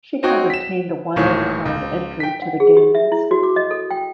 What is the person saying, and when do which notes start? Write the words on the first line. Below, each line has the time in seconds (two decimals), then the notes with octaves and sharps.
She had obtained a wildcard entry to the Games.
0.23 C4 D#4 F#4 C#5 G5
0.50 B6 E7
1.16 D#1 A2 D#3 E3 C#5
1.65 C#2
2.20 G5 B6
2.42 F#5
2.60 G#4
2.77 G4
2.95 E5
3.12 E4
3.31 F#4
3.43 D6
3.56 D#5
3.71 A4
3.91 G5